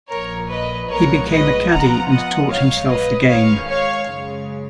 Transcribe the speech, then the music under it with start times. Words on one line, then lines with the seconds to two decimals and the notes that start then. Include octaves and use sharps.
He became a caddie and taught himself the game.
0.11 A#1 A#2 F3 A#4 C#5
0.50 B4 D#5
0.90 B1 A#2 F3 G#3 B3 A#4 C#5
1.30 B4 D#5
1.69 F2 F3 B3 F4 F#5 A#5
2.09 D#5 F#5
2.49 A#1 G#2 F#3 C#5 F5
2.89 B4 D#5
3.29 G#2 D#3 G#3 C#4 C#5 F5
3.69 C#5 F5
4.08 F#2 C#3 G#3